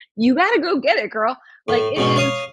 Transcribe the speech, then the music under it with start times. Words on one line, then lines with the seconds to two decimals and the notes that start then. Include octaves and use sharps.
you gotta go get it, girl, like, it is
1.68 A2
1.97 G#2 B2 C#4
2.16 C#5 F5 D#6